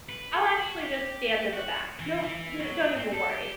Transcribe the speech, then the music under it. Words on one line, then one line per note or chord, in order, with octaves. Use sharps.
I'll actually just stand in the back. No, n don't even worry."
B4
A4
F#4
G4
F#4
E3
E3
F#3
C4
A4
G4